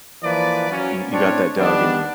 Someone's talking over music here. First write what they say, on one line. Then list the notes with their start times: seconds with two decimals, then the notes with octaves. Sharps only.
You you got that dog in you.
0.23 E3 F3 A#3 B4 D5
0.70 F#3 C#4
1.12 A2 C4 D4 C#5
1.58 D#3 G3 B3 D4